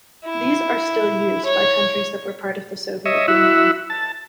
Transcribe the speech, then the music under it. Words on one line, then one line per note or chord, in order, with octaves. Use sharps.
These are still used by countries that were part of the Soviet Union.
E4
C#5
C#5 D#5 E5
E4 F#4 E5
A5